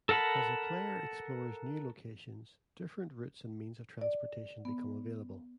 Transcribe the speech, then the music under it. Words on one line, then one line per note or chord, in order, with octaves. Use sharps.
As a player explores new locations, different routes and means of transportation become available.
A4 A#4 F#5 A5 B5
D5
B3